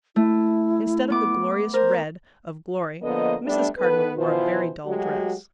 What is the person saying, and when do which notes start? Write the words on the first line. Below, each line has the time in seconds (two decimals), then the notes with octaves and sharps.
Instead of the glorious red of Glory, Mrs. Cardinal wore a very dull dress.
0.16 A3 E4
1.10 B3 D6
1.74 A#4 C5
3.02 D3 F3 A#3 B3 D#5
3.45 G3 A3 B3 D4
3.78 D#3 B3 A4 B4
4.16 B2 E3 F3 F4 C5
4.85 F#3 G#3 A3 F#4 G4